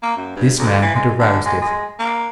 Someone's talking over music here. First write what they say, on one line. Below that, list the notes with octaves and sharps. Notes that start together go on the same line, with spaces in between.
This man had aroused it.
A#3
F#2
G2
D2
E3
G#3
D3
G#3
G#3
A#3